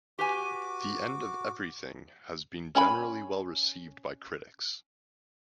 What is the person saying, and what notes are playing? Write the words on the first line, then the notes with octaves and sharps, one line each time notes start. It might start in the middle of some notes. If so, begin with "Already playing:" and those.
"The End of Everything" has been generally well received by critics.
F#4 G4 B4 G#5 D6
C#4 G#5 B5